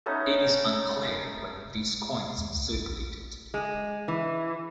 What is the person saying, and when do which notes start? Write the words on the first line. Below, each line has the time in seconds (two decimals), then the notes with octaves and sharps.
It is unclear whether these coins circulated.
0.06 A3 B3 C#4 D#4
2.38 D#2
2.55 C#2
2.74 A#1
3.54 G#3
4.08 E3